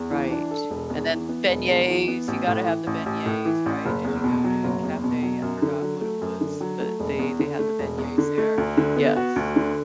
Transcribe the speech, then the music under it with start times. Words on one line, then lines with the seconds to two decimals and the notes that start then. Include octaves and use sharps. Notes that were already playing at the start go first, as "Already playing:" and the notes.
Right, and then beignets, you gotta have the beignets, right, did you go to cafe I forgot what it was, but they they had the beignets there, yes.
Already playing: E2
0.11 E3
0.31 D4
0.51 A4
0.70 E1
0.90 E2
1.10 E3
1.29 B3
1.49 E1
1.68 E2
1.89 E3
2.08 B3
2.28 A1
2.47 A2
2.67 E3
2.87 A1
3.06 A1
3.26 A2
3.45 E3
3.66 A1
3.86 F#1
4.05 E2
4.24 B2
4.44 F#3
4.64 F#1
4.83 E2
5.04 B2
5.23 F#3
5.42 F#2
5.62 D3
5.82 F#3
6.01 A3
6.22 F#2
6.41 D3
6.61 F#3
6.80 A3
7.00 E1
7.19 E2
7.39 D3
7.59 A3
7.79 E1
7.98 E2
8.18 D3
8.38 A3
8.58 D2
8.77 D3
8.96 B3
9.16 F#4
9.36 D2
9.56 D3